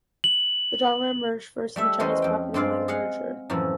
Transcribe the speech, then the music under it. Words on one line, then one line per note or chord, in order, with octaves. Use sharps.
The genre emerged first in Chinese popular literature.
F#7
G3 A3 E5
E2 E3 G#3 C#4 C5 D#5
F2 G5
G2 G#3 C4 F4 D5 F5
G#4 D#5 F5 F#5
F#2 A2 E3 F3